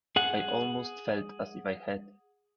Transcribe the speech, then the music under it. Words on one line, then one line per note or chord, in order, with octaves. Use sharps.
I almost felt as if I had.
G#4 F#5